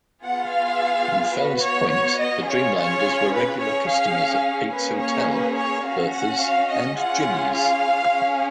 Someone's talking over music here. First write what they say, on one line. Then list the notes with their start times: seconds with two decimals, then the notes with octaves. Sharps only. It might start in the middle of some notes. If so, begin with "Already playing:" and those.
In Fells Point, the Dreamlanders were regular customers at Pete's Hotel, Bertha's, and Jimmy's.
0.23 B3 F4 G#4 F#5
0.52 F5
1.36 B3 F#4 B4
1.64 C#5
1.92 C#5
2.20 D#5
2.47 C#4 F4 G#4 C#5
2.76 C#5
3.32 B4
3.59 C#4 G#4 C#5
3.88 F5
4.72 A#3 C#4 G#4 B4
5.00 C#5
5.29 B4
5.56 C#5
5.84 C#4 F#4 F5
6.12 F#5
6.40 F5
6.69 D#5
6.96 C#4 F4 G#4 F#5
7.53 F5
8.09 C#4 G#4